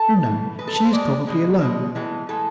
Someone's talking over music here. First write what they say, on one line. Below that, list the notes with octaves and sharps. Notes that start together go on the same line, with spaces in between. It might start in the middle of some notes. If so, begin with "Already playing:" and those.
"Oh, no; she is probably alone."
Already playing: A4
A2 E3 A3
B2 G#3 B4
A4
B4
C5
B2 G#3 D5
B2 G#3
B2 G#3
A2 E3 G#3
A2 E3 G#3 A4